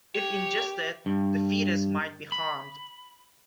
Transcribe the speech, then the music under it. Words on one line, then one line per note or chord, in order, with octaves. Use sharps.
If ingested, the fetus might be harmed.
G4 C#5
G2
B5